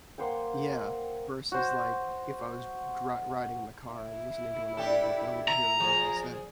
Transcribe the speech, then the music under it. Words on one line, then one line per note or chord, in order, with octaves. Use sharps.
yeah, versus, like, if I was dri riding in the car and listening to an audiobook, I wouldn't hear a word they said.
A#3 C5 F#5 G5
F#4 C5
E4
D4 G4 A4
A#5
F3 G#4